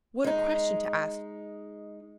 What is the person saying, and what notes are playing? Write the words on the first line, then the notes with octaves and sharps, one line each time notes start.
What a question to ask!
G#3 D#4